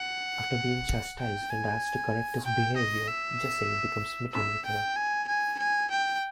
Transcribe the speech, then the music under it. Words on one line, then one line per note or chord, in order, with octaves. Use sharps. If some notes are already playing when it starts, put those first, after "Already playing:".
After being chastised and asked to correct his behavior, Jesse becomes smitten with her.
Already playing: F#5
G5
G#5
G5
D#5
E5
E5
G5
G#5
G#5
G#5
G5